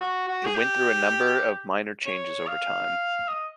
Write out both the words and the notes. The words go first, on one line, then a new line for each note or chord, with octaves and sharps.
It went through a number of minor changes over time.
F#4
F#4
G#4
G4
C#5
F5
D#5